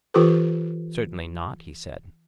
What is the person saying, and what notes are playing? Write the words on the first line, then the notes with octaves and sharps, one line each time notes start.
Certainly not, he said.
E3 F4 G4 A4 B4